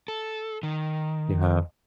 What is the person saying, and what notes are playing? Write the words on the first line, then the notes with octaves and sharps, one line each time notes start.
You have.
A4
D#3